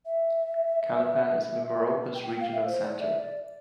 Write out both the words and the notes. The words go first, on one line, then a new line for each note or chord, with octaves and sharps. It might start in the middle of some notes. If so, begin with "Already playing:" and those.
Calapan is Mimaropa's regional center.
E5
G5
G5
F5
E5
C5
D5
E5
D5